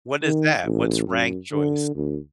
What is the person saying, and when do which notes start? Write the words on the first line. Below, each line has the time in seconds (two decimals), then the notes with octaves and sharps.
What is that? What's "rank choice"?
0.23 D#3
0.65 A1
1.08 F#2
1.53 D3
1.95 D2